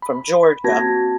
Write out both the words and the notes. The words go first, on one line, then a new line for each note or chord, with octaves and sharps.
from Georgia.
B5
A#3 C4 F#4 A5 G#6 A#6